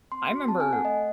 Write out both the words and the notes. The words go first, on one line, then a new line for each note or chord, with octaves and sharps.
I remember
C4 C6
F#4
C4 A5
G#5
A4
F#5
A3 D#5